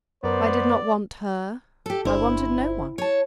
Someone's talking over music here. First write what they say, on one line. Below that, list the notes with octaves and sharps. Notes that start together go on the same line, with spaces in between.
I did not want her; I wanted no one.
F#2 B3 A#4 C5 D5
G4 A4
G1 D4 E4 C5
C#5 A5